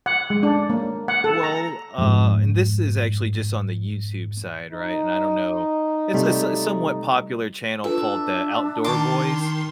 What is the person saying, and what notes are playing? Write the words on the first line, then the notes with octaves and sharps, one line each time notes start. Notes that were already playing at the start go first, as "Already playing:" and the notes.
Well, ah and this is actually just on the YouTube side, right? And I don’t know it's a s somewhat popular channel called the Outdoor Boys.
F#5
G#3
D4
A#3
F#5
A4
A#5
F2 G#2
D#4
C3 G3 A3
D4 F4 A4 B4 E5
D#3 A5 C6 D6